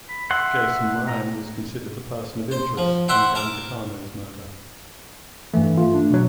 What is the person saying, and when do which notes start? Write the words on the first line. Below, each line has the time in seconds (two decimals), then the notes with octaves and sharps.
Jason Moran was considered a person of interest in Gangitano's murder.
0.09 B5
0.31 E5 F#5 C6
1.08 A#5
2.51 C5
2.77 F3
3.08 C5 E5 F#5 G5 C6
3.35 A#4 A5 D6
5.54 G2 E3 A3
5.78 A3 F4
5.94 D4
6.11 B2 F#3